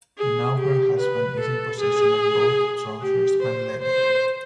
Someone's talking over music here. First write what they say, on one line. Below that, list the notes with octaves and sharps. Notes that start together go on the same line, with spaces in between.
Now her husband is in possession of both trousers and letter.
G#4
G4
B4
A4
G#4
G4
C5
C5